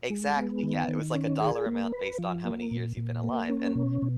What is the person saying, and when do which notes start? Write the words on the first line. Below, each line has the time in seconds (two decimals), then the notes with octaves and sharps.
Exactly, yeah, it was like a dollar amount based on how many years you've been alive and
0.10 G#3
0.36 B3
0.63 D#3
0.88 D#3
1.15 C#4
1.41 G#4
1.66 A#3
1.92 B4
2.18 F3
2.45 A#3
2.71 A#2
2.97 A#2
3.24 A#3
3.50 C#4
3.75 B2
4.02 B2